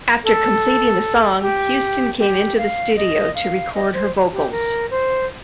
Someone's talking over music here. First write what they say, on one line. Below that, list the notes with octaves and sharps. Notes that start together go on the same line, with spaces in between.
After completing the song, Houston came into the studio to record her vocals.
A4
G4
G4
F5
D#5
F5
D#5
C5
G4
A#4
C5